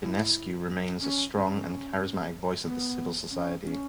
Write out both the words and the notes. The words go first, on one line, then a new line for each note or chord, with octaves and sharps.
Dinescu remains a strong and charismatic voice of the civil society.
E4
C#4
C#4
C#4
B3
C#4
C#4